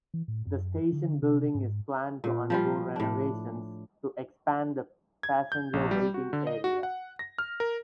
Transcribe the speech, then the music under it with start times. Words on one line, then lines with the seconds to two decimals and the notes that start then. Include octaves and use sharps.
The station building is planned to undergo renovations to expand the passenger waiting area.
0.14 E3
0.28 A2
0.47 F#2
0.93 D3
1.22 C3
1.55 G#2
2.24 A#2
2.50 F3 G3 F4
2.96 A2 D4
5.23 G#6
5.52 G6
5.73 A#1
5.91 G3
6.14 F#4
6.33 D3
6.47 D#5
6.64 F#4
6.83 F#5
7.19 A#6
7.38 F6
7.60 A#4